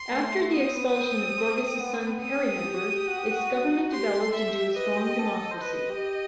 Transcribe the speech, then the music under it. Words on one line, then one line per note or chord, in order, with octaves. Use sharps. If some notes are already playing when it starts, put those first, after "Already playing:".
After the expulsion of Gorgus's son Periander its government developed into a strong democracy.
Already playing: C6
A3
B3 D#6
C4
B3
B3
C4
C4
B3
C4
B3
B3
C4 D#6
G4
F#4
G4
F#4
G4
F#4
G4 C6
A4
E5
G4
B4 D#5
G4
A4
A4
C5
B4 D#5
G4